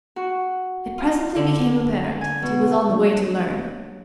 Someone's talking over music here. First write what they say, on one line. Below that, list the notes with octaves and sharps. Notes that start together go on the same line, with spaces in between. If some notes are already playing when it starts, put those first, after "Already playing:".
It presently became apparent that he was on the way to learn.
F#4
F4
D3
G#5
B2
F#3 G3 A#3 D4